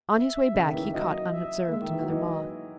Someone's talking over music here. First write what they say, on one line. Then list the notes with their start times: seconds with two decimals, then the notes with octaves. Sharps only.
On his way back he caught unobserved another moth.
0.15 E5
0.54 C#3
0.64 D#3
0.73 E3
0.84 E3
0.93 F#3 D#5
1.32 E5
1.66 A#3
1.72 G#3 E5
1.81 D#3
1.91 E3
2.01 F#3
2.10 E3 D#5